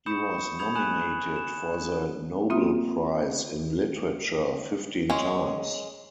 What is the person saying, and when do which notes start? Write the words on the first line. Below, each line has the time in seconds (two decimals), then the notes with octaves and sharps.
He was nominated for the Nobel prize in literature fifteen times.
0.06 B5 C#6 D#6 G6 C#7 E7
0.59 B5 D#6 G6 G#6 F7
0.75 G#5 B5 D#6 F#6 E7 F#7
1.36 E7
2.50 A#3 C4 F4 E5 D#6
5.10 G#3 C#4